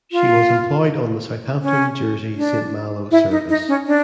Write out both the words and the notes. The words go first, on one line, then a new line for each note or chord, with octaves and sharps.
She was employed on the Southampton - Jersey - Saint Malo Service.
F4
C#4
D4
E4
D#4
D#4
C#4
D4